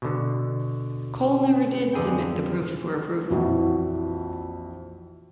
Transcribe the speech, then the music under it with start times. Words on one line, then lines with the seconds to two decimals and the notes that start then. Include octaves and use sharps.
Cole never did submit the proofs for approval.
0.02 B2 D3
1.93 F2 D3 G#4 B4 G5
3.30 A#1 F2 E3 E4 F#4